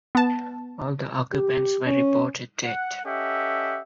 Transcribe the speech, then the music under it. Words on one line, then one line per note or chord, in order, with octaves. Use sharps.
All the occupants were reported dead.
B3 A5
G4
C#4
F#5
C#4 G4 A4 D#5 E5 F#5